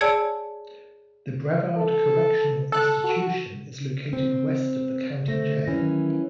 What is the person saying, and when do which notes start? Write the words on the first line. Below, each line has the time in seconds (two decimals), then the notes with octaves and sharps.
The Brevard Correctional Institution is located west of the county jail.
0.01 G#4 C#5 D5 G#5 A5 E6
1.77 A4
2.72 A4 F#6
3.04 F#4
4.13 C4
5.28 D3 A3 C5 A#6
5.67 D#3 E3 F#3 C#4